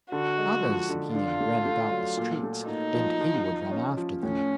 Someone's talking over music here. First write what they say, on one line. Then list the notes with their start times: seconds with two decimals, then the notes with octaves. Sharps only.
Others, again, ran about the streets, and he would run after them.
0.12 D3 F#4
0.37 G#3
0.63 F3
0.89 D3
1.15 D4 F4
1.40 A3
1.66 A3
1.92 F#3
2.17 A#2
2.43 A3
2.68 A#2 D#4
2.95 F3
3.21 F3
3.46 F3
3.71 C#4
3.97 F3
4.23 A2 C#4